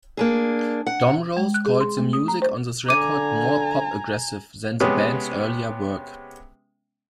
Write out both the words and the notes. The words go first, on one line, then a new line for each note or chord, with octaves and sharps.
Domrose called the music on this record more "pop-aggressive" than the band's earlier work.
A#3 D4 G#4
F#5
G#3
F#6
G#4
C6
A3
D#6
A#5
C5
D3 G#5 A#5 D6 D#7
C3 G#3 B3 C#4